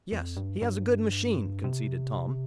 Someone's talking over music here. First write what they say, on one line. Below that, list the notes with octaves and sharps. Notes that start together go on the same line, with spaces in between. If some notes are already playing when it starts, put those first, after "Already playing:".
"Yes, he has a good machine," conceded Tom.
F2
G2
G2
C3